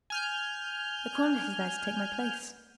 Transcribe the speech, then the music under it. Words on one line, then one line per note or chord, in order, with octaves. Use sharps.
"The cornet is there to take my place."
G#5 F6 G6